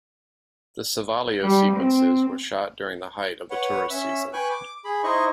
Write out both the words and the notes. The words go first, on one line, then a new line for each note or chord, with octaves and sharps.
The Sevalio sequences were shot during the height of the tourist season.
G3
C4
B4 C#5 F#5
C#4 E5 E6
B4 G5 G#5 C#6 F#6
D6
G#4 B5
D#4 E4 C5 D#5 C#6